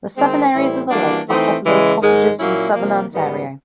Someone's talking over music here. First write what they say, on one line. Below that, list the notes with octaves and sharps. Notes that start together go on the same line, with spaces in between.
The southern areas of the lake are popular with cottagers from southern Ontario.
D#3 G#3 C4
A2 E3 G3 C4 E4
E3 G3 A#3 D4 F#4
E3 A3 C4 D#4
C#3 E3 G#3
G#2 D#3 G#3
A#2 F#3 A#3 C#4 E4
C3 F3 A#3
G#2 D#3 G3 B3